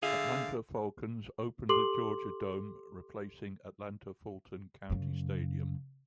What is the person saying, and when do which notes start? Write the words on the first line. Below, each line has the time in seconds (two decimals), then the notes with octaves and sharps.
Atlanta Falcons opened the Georgia Dome, replacing Atlanta-Fulton County Stadium.
0.03 D3 G#4 E5 F5
1.69 G4 A4 C6 D6 F#7
4.90 F#2 C#3